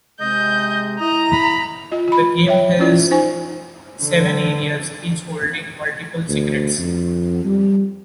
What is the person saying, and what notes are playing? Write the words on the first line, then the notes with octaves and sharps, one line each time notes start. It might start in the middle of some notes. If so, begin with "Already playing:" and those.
The game has seven areas, each holding multiple secrets.
C3 G#3 D#5 G6
E4 D#5 A#5
B5
F4 D#5
F4 B5
C#5 E5 G5
C#4 E4 F4 D5
D#4 C5 G#5
D3
D2
F2
G3